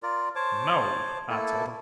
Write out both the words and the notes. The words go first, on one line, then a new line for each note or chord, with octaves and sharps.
No,' I told him.
F4 A#4 D5
C5 C#5 A5 D6
A3 A#3 E4 A4